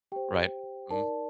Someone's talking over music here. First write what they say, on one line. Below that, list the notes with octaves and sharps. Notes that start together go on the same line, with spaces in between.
Right. Mhm.
G4 C5 G5
D#4 A#4 D5 A5